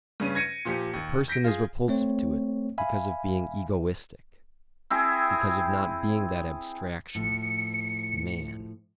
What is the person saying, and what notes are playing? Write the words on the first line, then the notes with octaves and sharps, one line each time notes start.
The person is repulsive to it because of being "egoistic," because of not being that abstraction, Man.
G2 C#3 C#4 D#7
G#6 A#6 C#7 D#7
A#2 F3 G4 C#7
D#2
G6 A#6 B6 D7
F4 G#4
A3 C4 C#5
E5 F5 G#5 B5
C4 E4 G#4
A2 F3 C#7